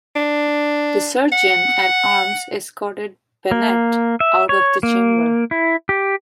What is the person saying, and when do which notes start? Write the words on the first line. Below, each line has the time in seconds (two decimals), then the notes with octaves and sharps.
The Sergeant at Arms escorted Bennett out of the chamber.
0.16 D4
1.32 F#5
3.51 A#3
4.20 E5
4.49 C#5
4.83 A#3
5.51 E4
5.89 G4